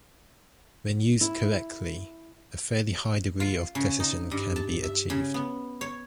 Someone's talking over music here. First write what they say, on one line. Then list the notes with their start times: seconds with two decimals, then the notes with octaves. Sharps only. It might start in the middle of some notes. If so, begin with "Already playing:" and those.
When used correctly, a fairly high degree of precision can be achieved.
1.21 E4
3.40 F4
3.75 C#3
4.00 D#4
4.31 G2
4.56 A5
4.83 E5
5.10 C#3
5.34 B3
5.81 C#5